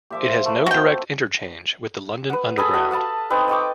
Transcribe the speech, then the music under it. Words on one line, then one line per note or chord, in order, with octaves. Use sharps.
It has no direct interchange with the London Underground.
A#2 F3 G4 E5 D6
A3 B4 B5
C4 F#4 G5 C6
B4 F#5
G#4 A4 B5 D#6
F#4 A4
F5 F#5 A5 B5
C4 D#4 B4
D#5 G5 C#6 D6